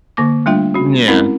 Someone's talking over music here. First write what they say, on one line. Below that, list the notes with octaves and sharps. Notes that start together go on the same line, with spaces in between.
Mm, yeah.
D3 A#3 D6
G3 A3 D4 F4 E5 G5
C#4 F#4
G#3 C4 C#4 E4 A#4